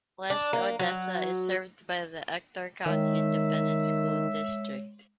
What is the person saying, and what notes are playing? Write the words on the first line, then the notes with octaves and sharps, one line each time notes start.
West Odessa is served by the Ector County Independent School District.
D4
A#3
F#3
D#3 G#3 C#5 E5